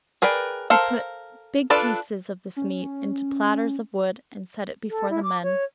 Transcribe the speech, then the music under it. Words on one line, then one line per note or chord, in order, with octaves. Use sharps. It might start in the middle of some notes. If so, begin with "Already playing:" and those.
They put big pieces of this meat into platters of wood and set it before the men.
G#4 A#4 B4 D5 G5
A4 A#4 C5 F5
D4 F4 A4 B4 D5
C#4
A4
E4
D6
C#5